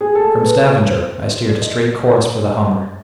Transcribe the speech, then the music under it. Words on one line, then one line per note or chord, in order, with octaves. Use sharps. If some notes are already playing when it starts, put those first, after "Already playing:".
From Stavanger I steered a straight course for the Humber.
G#4
A4
B4
C#5
C5
D5
D#5